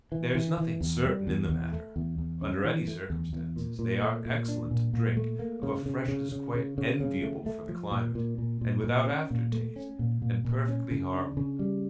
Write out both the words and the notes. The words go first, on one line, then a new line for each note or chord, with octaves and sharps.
There is nothing certain in the matter. Under any circumstances, they are excellent to drink, of a freshness quite enviable for the climate, and without after-taste, and perfectly harmless.
E3
E3
E3
E2
G3
E2
E2
A3
E2
E2
C#4
E3
A3
E2
E2
A#2
A#2
A3
A#2
D4
A#2
A#2
A3
A#3
C#3
C#3
C#3
C#3
C#3
C#3
C#3
A3
A3
F3
A#2
A#2
A#2
A#2
A#2
C#4
A#2
A3
C#4
A#2
A#2
A#2
C#4
C#3
D4
C#3
G3